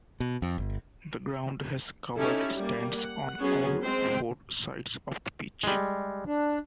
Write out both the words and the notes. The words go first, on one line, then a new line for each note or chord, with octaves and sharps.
The ground has covered stands on all four sides of the pitch.
B2
F2
G1
C#4 D#4 E4 G4 A4
G3 A#3
F#5
F#3 B3 C#4 G#4
G#3 C4 C5 G5
G3 G#3
D4